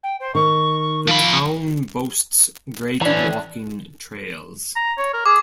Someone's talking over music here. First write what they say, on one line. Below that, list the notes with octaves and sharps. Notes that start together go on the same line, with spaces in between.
The town boasts great walking trails.
G5
C5
D#3 C#6
F3 F5 B5
E3 C#4 D4 A#5
A#5
C#5
A#4
G#4 D6